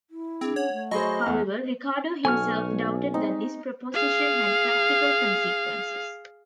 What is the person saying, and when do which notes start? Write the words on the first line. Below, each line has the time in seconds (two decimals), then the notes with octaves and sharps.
However, Ricardo himself doubted that this proposition had practical consequences.
0.10 E4
0.41 C4 D4 G#4
0.56 C#4 C#5 F#5
0.72 A3
0.91 F#3 G#4 C5 D#5 G#5 B5 C#6
1.26 E2 F#5
2.25 B1 F#4 A4 G#5 C#6 F6
3.14 C4 D#4
3.94 G#4 F5